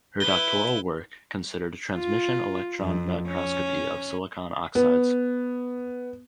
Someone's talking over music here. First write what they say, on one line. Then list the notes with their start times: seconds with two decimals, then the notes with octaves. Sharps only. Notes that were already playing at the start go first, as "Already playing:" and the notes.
Her doctoral work considered transmission electron microscopy of silicon oxides.
0.20 E4 B4 G7
1.95 F4
2.80 F2
3.27 C#4
4.75 B3